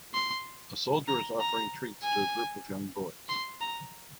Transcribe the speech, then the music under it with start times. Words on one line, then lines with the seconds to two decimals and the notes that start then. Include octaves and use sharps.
A soldier is offering treats to a group of young boys.
0.14 C6
1.08 A#5
1.40 A#5
2.03 G#5
3.29 C6
3.61 A#5